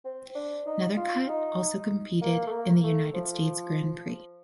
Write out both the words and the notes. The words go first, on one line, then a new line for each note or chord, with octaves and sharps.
Nethercutt also competed in the United States Grand Prix.
C4
D4
D#4
F4
D#4
A#3
A3
A#3
A3
F3